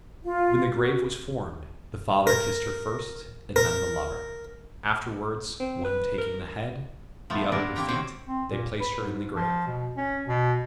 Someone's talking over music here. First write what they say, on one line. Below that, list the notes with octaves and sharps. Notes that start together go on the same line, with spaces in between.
When the grave was formed, the father kissed her first, and then the lover; afterwards, one taking the head, the other the feet, they placed her in the grave.
F4
F#4
A#4
A#4
C4
B4
A#4
F3 A3 B3
A#3 B3 D4 F4 A4 A#4
A#3 C4 G4 G5 A#5
D#3 C4 F#4 C5 C#5 G5
C4
A#2
B4
G#2
F3
B2
C#4
B2